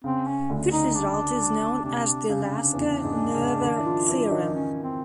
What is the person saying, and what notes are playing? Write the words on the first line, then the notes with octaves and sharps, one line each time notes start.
This result is known as the Lasker-Noether theorem.
C#3 C4
C#4
D2 D3
D#4
D4
C3 D4
C#3 D4
E2 E3
G#2 G#3
C#3 C#4
D#3 D#4
E4
F3 F4
E3 E4
D#3 D#4
C#4
C4